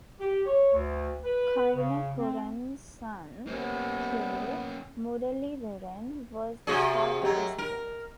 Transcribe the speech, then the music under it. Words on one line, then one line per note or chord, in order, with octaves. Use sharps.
Karunakuran's son K. Muraleedharan was the party president.
G4
C#5
D2
B4
C#3
C4
C3 A#3 B3 C#4
C3 F#4 G#4 D5
F#2 F#3 G4 D#5 A#5
A#4